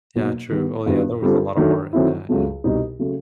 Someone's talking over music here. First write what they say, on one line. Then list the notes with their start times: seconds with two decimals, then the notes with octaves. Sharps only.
Yeah, true, oh, yeah, there was a lotta heart in that, yeah.
0.15 B2 F#3 A#3 D#4
0.51 D#3 G3 B3
0.86 G2 D#3 F#3 B3 E4
1.22 D3 G3 C4 F4 A4
1.57 D#3 F#3 A3 D4
1.93 D#3 F#3 A3 C4 E4
2.29 C#2 C#3 F#3 A3
2.64 C2 B2 G3 C4 D#4
2.99 C#3 F#3 A3